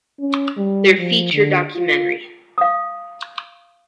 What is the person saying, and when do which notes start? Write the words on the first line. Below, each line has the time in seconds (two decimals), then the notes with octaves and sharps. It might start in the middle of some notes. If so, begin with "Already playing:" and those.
Their feature documentary.
0.19 C#4
0.57 G3
0.98 F3
1.33 D3
1.75 F4
2.58 F5 D#6